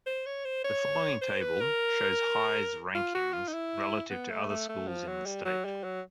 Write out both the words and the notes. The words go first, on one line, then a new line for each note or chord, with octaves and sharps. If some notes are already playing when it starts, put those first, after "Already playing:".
The following table shows High's rankings relative to other schools in the state.
C5
C#5
C5
C#5
C5
B4
A#4
F4
F#4
F4
D#4
E4
B3
A3
A3
A3
F3
F#3
G3
F#3
G3
F#3